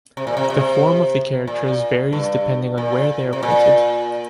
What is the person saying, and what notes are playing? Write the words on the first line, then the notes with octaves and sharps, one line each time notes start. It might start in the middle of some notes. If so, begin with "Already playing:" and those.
The form of the characters varies depending on where they are printed.
C3
A#2
C3
C3
A#2
G2
A#2
C3
A#2